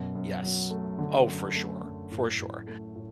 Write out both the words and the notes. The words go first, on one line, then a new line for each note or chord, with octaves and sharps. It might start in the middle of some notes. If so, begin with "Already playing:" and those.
Yes, oh, for sure, for sure.
Already playing: F#2 B2
F#2
F#3
A3
D3
F#2
A3
F#2
A2
A2
A3
A2